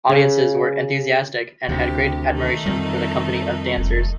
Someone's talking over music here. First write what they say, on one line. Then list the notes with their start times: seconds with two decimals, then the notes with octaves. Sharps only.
Audiences were enthusiastic and had great admiration for the company of dancers.
0.10 C#3
1.69 D2 C3 G4
2.29 D#3 A3 D#4
2.66 F2 G3
3.77 F1